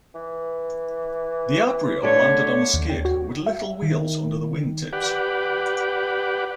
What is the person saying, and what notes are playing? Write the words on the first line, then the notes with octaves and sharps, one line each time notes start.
The Abrial landed on a skid, with little wheels under the wing tips.
E3
D3 A3 D4 C#5 D5
D#2
G5
F#4
E5
D#3
G4 B4 D5 F#5